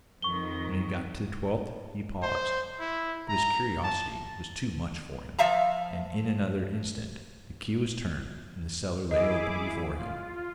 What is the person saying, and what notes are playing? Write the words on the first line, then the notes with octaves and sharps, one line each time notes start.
When he got to the twelfth he paused, but his curiosity was too much for him, and in another instant the key was turned and the cellar lay open before him.
F2 D#3 C#6 G7
C5
E4
A#5
A5
F3 D5 E5 F5 A#5
E4 G#4 D#5 D6
F4